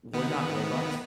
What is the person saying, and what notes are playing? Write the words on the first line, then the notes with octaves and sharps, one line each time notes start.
we're not robots,
D#3 B3